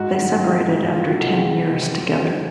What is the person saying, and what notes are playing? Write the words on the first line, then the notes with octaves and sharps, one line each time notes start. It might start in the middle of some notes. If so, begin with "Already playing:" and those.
They separated after ten years together.
Already playing: G#2 F#4
D#3 F#3
G#2 F4
D#3 F#3
C#2 F4
F#4
C3 D#3 F#3 A4
G#4
C#2
C3 D#3 F#3
D2
D3 F#3